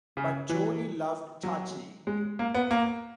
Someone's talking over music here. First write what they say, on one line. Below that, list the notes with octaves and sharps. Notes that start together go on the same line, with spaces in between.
But Joanie loved Chachi!
C#3
E3
F#3
G#3
A#3
B3
A#3